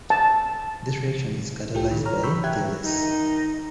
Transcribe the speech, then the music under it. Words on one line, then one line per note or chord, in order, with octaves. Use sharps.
This reaction is catalyzed by thiolase.
A5
C2 F4 G4 A4 G5
C3 D#3
C#5 A#5 F6
B5 C#6 E6 G6 B6
G4 E5 G5 F#6 G#6
D#3 D#4